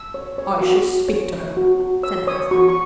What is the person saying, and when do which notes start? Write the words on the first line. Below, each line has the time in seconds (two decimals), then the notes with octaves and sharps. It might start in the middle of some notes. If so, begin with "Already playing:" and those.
"I shall speak to her," said the husband.
Already playing: E6
0.14 C#5
0.38 C#5
0.61 F#4
0.85 F#4
1.08 C#5
1.33 C#5
1.57 F#4
1.80 F#4
2.03 C#5 E6
2.27 C#5 D#6
2.51 F#4 C#6
2.68 C#6